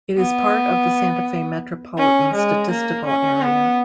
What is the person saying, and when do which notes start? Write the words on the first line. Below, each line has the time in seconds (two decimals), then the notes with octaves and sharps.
It is part of the Santa Fe Metropolitan Statistical Area.
0.17 B3
1.98 C#4
2.34 G#3
2.70 A#3
3.06 C#4
3.42 B3